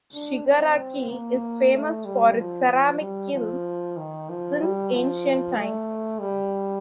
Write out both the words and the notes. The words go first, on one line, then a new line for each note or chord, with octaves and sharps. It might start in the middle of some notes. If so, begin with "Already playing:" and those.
Shigaraki is famous for its ceramic kilns since ancient times.
D4
C4
A#3
A3
G3
F3
F3
G3
F3
D#3
F3
G3
F3
A3
G3